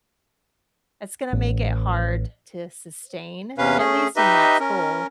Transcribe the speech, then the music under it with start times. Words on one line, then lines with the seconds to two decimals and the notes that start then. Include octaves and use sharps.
it's gonna make it hard to sustain, at least in that school,
1.33 A1
3.58 E2 C3 C#4 B4 F5
3.78 A3 C#4 G#4
4.16 D#4 G4 B4 D#5 E5
4.60 C#4 A#4